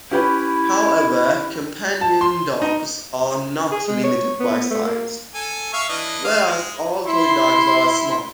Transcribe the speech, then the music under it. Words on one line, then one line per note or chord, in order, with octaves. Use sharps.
However companion dogs are not limited by size, whereas all toy dogs are small.
C#4 E4 G4 B4
A5
C6
D#4
G#4
G#3
C#5
B3
A3
A#3
A4 G#5
E5 F5 C#6
E3 D4 D#5
F5
G#3
E4 C6